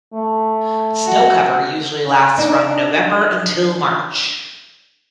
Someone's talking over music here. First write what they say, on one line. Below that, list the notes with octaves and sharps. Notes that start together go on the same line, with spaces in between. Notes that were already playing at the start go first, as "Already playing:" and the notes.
Snow cover usually lasts from November until March.
A3
F#4
D4 D#4